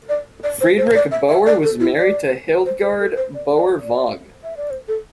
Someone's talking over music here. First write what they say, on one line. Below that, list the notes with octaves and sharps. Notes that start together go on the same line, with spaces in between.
Friedrich Bauer was married to Hildegard Bauer-Vogg.
D5
D5
C5
C5
D5
E5
E5
D5
A4
E4
D5
C5
C5
A4
C5
D5
D5
D5
E5
D5
C5
A4